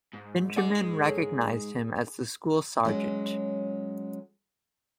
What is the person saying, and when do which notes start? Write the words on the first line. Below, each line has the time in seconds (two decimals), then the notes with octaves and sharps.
Benjamin recognized him as the school sergeant.
0.13 G#2
0.56 G#3 D5 F#5 D6
1.06 A4 C#5
2.85 F#3 G#3 C#4